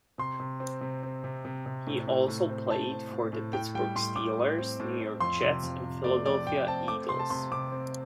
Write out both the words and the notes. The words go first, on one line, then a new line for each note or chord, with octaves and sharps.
He also played for the Pittsburgh Steelers, New York Jets, and Philadelphia Eagles.
C3 C6
C3
C4
C3
C4
C3
C3
C3
A2
A2
A2
C4
A2 A5
C4
A2
A2
A2 G5
G3 G5
A2 C6
A2 D6
A2
C4
A2
A2
F2 C6
C3
F2
C3
A3 D5
F2 D5
F2 G5
C4 A5
A3 D6
C3 C6
A5
C3 C6
C3 D6
C4